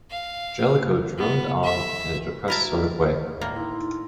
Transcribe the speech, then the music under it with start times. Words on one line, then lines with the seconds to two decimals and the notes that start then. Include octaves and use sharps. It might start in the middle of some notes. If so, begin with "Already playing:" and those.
Jellicoe droned on in a depressed sort of way.
0.11 F5
1.18 B3
1.64 E5
2.48 E4 F#4 A#4 A5
2.72 D5 D#5
3.41 A2 A#3
3.56 D#4 E4 C6